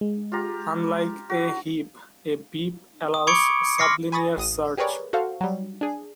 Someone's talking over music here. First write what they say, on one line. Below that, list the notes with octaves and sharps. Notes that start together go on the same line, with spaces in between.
Unlike a heap, a beap allows sublinear search.
G#3
F4 G4 A#5
F#4
D#6
B5 C#6 D6 G#6 C#7 D7
C6 D6 F6 A#6 C7 C#7
G#5 B5 C#6 D#6 A6 A#6
A1 D#6
G4 G#4 A#4 B4 C#5 D5
F#4 A4 C5 F5 C#6
F#3 G3
D4 G#4